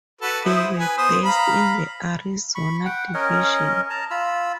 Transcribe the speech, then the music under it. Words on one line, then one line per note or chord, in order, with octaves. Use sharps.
They were based in the Arizona Division.
F#4 A4 B4
E4 C5 D#6
B4 G#5
B3 C5 D#6
F5 A#5 B5
B5 C#6
F#5 G5
C#4 A#4 C#5 D#5
A5 A#5
F4 B5 E6